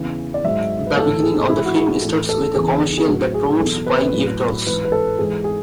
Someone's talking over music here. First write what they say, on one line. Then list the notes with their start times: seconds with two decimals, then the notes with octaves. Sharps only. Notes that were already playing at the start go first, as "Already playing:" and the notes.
The beginning of the film starts with a commercial that promotes buying Eve dolls.
Already playing: E2 C#3 E3
0.34 D5
0.44 G#2 F#3 E5
0.87 B4
0.97 A2 E3 A4
1.23 G#4
1.49 G#2 E3 E4
1.65 F#4
1.76 G#4
2.02 A2 E3 A4
2.29 A4
2.55 E2 C#3 E3 G#4
2.98 G#4
3.07 A2 F#3 F#4
3.34 G#4
3.60 E2 B2 F#3 A4
3.86 B4
4.13 A2 F#3
4.66 G#2 E3 B4
4.85 B4
4.92 A4
5.18 G#2 E3 G#4
5.44 G#4